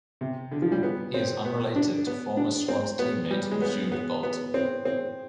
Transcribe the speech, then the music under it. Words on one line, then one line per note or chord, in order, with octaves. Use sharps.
He is unrelated to former Swans teammate Jude Bolton.
C3
D3
F3
G3
B3
C4
B3
D4
B3
D4
C4
B3
G3
G#3
B3
B3
B3
C4
C4